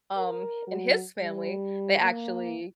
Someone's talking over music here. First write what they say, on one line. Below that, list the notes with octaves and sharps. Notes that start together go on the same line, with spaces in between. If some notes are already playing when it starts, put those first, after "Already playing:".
um, in his family, they actually
A#4
F#3
G3
A#3